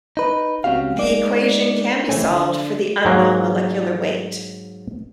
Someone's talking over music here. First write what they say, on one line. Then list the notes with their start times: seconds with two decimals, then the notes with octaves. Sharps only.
The equation can be solved for the unknown molecular weight.
0.17 D#4 B4
0.64 C#2 C4 C#4 F#4 G4 F5
0.97 G#3 A#3 D#4 D5
2.09 C3 E3 G#3 A3 C4 C#4
2.28 D3
3.05 G#2 F#3 A#3